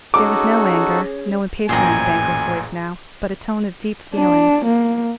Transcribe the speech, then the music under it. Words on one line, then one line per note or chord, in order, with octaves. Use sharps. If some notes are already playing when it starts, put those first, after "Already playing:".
There was no anger, no impatience in the banker's voice now, but a tone of deep feeling.
C#4 D#4 F#4 G#4 A4 C#5 D6
A1 F#2 A#2 G#4 G5 G#5 A#5
D4
A#3